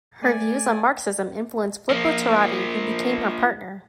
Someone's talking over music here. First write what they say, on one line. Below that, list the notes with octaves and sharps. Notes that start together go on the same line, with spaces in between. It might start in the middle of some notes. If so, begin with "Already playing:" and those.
Her views on Marxism influenced Filippo Turati, who became her partner.
A3 D5 G#5
F3 A#3